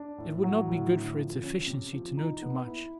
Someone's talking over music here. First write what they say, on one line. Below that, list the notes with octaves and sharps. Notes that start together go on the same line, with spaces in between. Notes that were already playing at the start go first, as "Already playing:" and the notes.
It would not be good for its efficiency to know too much.
Already playing: D4
A2
F#3
A2
D3
F3
C#4
C3
F3
D#4
B3
E4